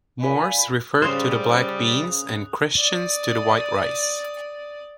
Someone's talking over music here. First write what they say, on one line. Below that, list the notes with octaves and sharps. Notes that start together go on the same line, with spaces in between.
"Moors" refers to the black beans, and "Christians" to the white rice.
A#2 G#5 B5
C#3 G3 C5 D#6 F#6 F7
D5 D#6